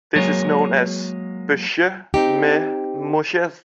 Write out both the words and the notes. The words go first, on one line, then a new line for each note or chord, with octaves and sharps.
This is known as beschuit met muisjes.
F#3 G#3 A#3 G#4 C#5
C4 D#4 G4